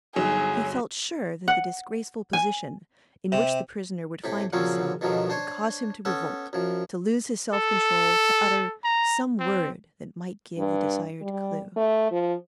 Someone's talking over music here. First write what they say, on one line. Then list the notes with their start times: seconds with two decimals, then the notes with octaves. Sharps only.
He felt sure that the disgraceful position in which the prisoner would find himself would cause him to revolt, to lose his self-control, to utter some word that might give the desired clue.
0.16 G1 F#3 D#4 G#4
1.48 F#5
2.33 G#5
3.32 C3
4.24 A2 C3 G4
4.53 A#2 C#3 F3 F#3 C4 C#4
5.01 G2 B2 D3 D#3 F3 F#3
5.30 D4 C5 C#5
6.05 B3 C#4 A4
6.53 F#2 F3
7.53 A4
8.84 A#5
9.40 C4
10.58 G2
11.22 G3
11.76 A3
12.11 F3